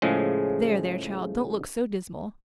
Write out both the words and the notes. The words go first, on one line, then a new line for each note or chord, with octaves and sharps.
There, there, child, don't look so dismal.
A2 C#3 F3 G#3